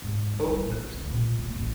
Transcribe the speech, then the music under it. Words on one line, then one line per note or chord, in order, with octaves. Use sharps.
Hope and understanding,
G#2
G3
G3
A1
D2
A#2
A#3
A1